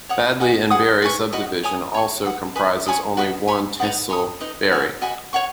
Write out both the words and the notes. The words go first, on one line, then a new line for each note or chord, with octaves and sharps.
Badli and Beri sub-division also comprises only one tehsil, Beri.
C#5 F#5 D#6
F#4 D#5 G#5
G#4 B4 F#5 D#6
B4 G#5 C#6
F#4 D#5 F#5 B5
C#5 G#5 B5 D#6
C#5 G#5 C#6
B4 F#5 D#6
B4 G#5 B5 D#6
C#5 G#5 B5 D#6
F#4 B4 D#5 B5
C#5 G#5 B5
D#4 B4 F#5 D#6
C#5 G#5 B5 D#6
D#4 B4 D#5
F#4 C#5 G#5
F#4 D#5 G#5 B5
C#5 F#5 C#6